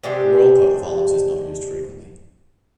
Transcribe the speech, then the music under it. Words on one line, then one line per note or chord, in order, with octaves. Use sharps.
The royal coat of arms is not used frequently.
C3 G#3 D4 G4